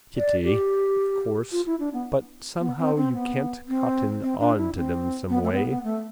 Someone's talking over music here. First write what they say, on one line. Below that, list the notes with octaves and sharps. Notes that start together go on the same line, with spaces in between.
Pity, of course: but somehow you can't cotton on to them someway.
D5
G4
F4
E4
D4
B3
B3
C4
C4
B3
C4
C4
D4
E4
C4
B3
A3
C4
B3
B3
A3